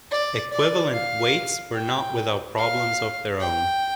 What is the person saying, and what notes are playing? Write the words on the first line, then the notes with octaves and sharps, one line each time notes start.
Equivalent weights were not without problems of their own.
D5
D5
F5
G5
F5
G5